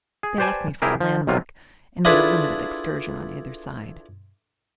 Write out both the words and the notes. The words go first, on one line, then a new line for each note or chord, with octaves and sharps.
They left me for a landmark and made a limited excursion on either side.
G#4
G4 B4 C5 D5 G#5 A5
E4 G4 G#4 A#4
F3
B1 C3 F#3 F4
D4 E4 F4 G#4 A4 B4